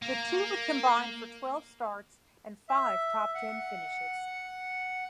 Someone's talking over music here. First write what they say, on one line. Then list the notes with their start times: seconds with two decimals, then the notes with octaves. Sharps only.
The two would combine for twelve starts and five top-ten finishes.
0.02 A#3
2.68 E5
3.35 F#5